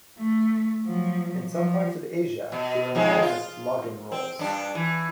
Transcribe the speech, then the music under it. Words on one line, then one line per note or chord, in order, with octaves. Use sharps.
In some parts of Asia they are known as "laugen rolls".
A3
F3 F#3
F3
B2
F2 G#2 G#3
F4
C4
G2 D4
E3